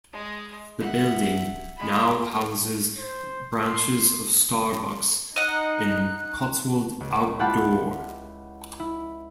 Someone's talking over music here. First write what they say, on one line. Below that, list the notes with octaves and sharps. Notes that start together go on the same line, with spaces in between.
The building now houses branches of Starbucks and Cotswold Outdoor.
G#3 D#6
E5 F#5
G#3 B5
C5
C6
D#4 D#5 F#5 F#6
C#2
E4 F4 G4 F#5 A5 B5
E4